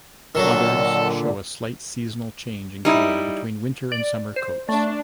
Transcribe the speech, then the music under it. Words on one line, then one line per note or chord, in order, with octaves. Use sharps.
Others show a slight seasonal change in colour between winter and summer coats.
A#2 D3 D#3 F#3 A4 A5
G3 D#4 E4
D5
C5
A3 D4